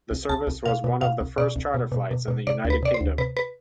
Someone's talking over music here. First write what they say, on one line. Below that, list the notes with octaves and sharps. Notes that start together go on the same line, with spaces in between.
The service was one of the first charter flights in the United Kingdom.
C2
C2 A5
C2
B2 F5
B2
B2 F5
C2
B2 D5
C2
B2
B2
B2
B2
C3 D5
D2
B4
C3 D5
C5
D2
C3 B4
B4